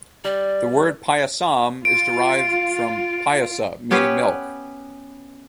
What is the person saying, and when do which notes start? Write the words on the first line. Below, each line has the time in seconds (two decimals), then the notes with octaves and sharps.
The word "payasam" is derived from "payasa", meaning "milk".
0.24 G3 D5
1.85 F4 D7
3.91 B3 C#4 G4 B4